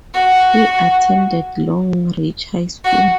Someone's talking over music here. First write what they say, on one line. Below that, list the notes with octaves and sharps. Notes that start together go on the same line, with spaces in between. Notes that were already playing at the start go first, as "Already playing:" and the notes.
He attended Long Reach High School.
F#4
F#4